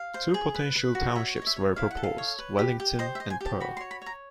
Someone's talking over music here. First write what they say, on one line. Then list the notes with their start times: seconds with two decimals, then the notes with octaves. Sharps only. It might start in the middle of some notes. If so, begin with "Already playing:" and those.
Two potential townships were proposed: Wellington and Pearl.
Already playing: F5
0.14 C5
0.34 G#4
0.54 B4
0.75 B4
0.95 F#4
1.15 C#5 E5
1.36 C#5
1.42 D#5
1.47 E5
1.56 C#5
1.76 E4 F5
1.91 F#5
1.97 A4
2.03 F5
2.18 C#5
2.39 B4
2.59 G4
2.80 G4
2.99 C5 D#5
3.15 E5
3.20 D#5
3.30 G#5
3.41 G4
3.46 A5
3.60 F#4 B5
3.77 C6
3.81 C#5
3.91 B5
4.02 C#5 A#5